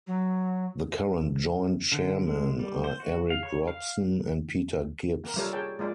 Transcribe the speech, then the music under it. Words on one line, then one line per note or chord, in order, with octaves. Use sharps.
The current joint-chairmen are Eric Robson and Peter Gibbs.
F#3
D3
G#3
G3
C5
F#4
F5
C#5
F5
A#3 A#4
G3 F4 A4 A#4 C#5
G#4 C#5 D5 G5 A5
G#3 A#3 F4 D5